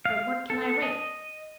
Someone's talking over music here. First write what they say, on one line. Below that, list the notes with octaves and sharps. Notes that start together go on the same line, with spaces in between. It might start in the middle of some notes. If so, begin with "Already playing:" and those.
But what can I write?
F5
A4
D#5